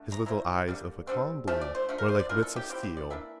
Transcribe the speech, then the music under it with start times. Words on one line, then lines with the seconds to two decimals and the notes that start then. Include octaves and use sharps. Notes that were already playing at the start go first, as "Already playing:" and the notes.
His little eyes, of a calm blue, were like bits of steel.
Already playing: D3 A3 D4
0.12 A#5
0.26 F3 C4 E4 A#5
0.67 D3 G3 A#3
1.07 D3 G3 C4
1.47 F3 A3 A5
1.61 D5
1.75 C5
1.89 D3 F3 A3
1.98 A#4
2.09 C5
2.19 D5
2.29 E3 A#3 D4 F4 A#4
2.42 A4
2.56 G4
2.70 F3 C4 E4 G4
2.83 G4
2.97 D5
3.10 E3 A#3 D4 E5